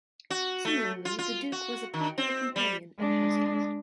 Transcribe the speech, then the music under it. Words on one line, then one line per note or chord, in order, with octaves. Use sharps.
Similarly the Duke was a popular companion and house guest.
F#4
A3
F4
F4
F#4
D#3
C4
G3
G#3 D4